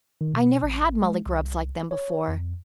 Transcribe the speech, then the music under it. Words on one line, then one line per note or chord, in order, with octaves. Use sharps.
I never had mullygrubs like them before.
D#3
B2
A1
G#3
C2
C#5
F2